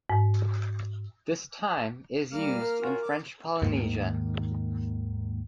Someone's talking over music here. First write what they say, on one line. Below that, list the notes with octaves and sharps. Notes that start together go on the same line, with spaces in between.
This time is used in French Polynesia.
G#2
G3 A#3 F6
A#4
C#4 F4 F#4
D6
D#2 G#2 D#3 A#3